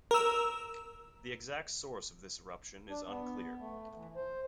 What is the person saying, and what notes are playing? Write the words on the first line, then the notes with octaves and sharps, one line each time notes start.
The exact source of this eruption is unclear.
A#4 E6
D4
B3
A3
E3
C5